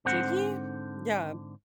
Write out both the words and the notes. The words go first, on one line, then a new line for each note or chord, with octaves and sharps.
Did he? Yeah.
G#2 D3 C4 C5 F#5